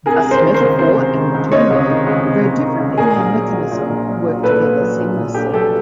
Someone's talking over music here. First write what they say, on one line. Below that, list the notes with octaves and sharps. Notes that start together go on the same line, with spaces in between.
Thus, metaphor and metonymy, though different in their mechanism, work together seamlessly.
C3 G#4 A#4
C#2
A#4 C5
D#3
A#4 C5
C#2
C3 A#4 C5
C#2
D#3
C#2
C3 C#5 D#5
C#2
D#3
C#2
C3
C#2
D#3
C#2
A#2 G#4 A#4
A#1
F#3
A#1
A#2
A#1
F#3
A#1
A#2 A4 B4
A#1
F#3
A#1
A#2
A#1 G4 A4
F#3 G4 A4